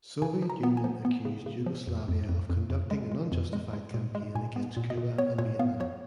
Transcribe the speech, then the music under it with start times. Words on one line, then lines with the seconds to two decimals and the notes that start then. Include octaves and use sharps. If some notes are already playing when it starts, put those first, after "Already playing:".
Soviet Union accused Yugoslavia of conducting an unjustified campaign against Cuba and Vietnam.
0.22 C#3 G#5
0.42 F3
0.50 A#5
0.63 B3
0.77 G#5
0.84 F3
1.05 B3
1.25 C#3
1.46 C#3
1.66 F3
1.87 F2
2.08 F2
2.29 F2
2.50 F2
2.70 F2
2.91 G#3
3.12 G#3
3.32 F2
3.53 G#3
3.73 G#3
3.94 A#2
4.15 G#3
4.35 A#2 G#5
4.56 B3
4.77 A#2
4.90 D#5
4.98 A#2
5.18 B3 C#5
5.38 A#2 C#5
5.59 B3 F5
5.80 F3 C#5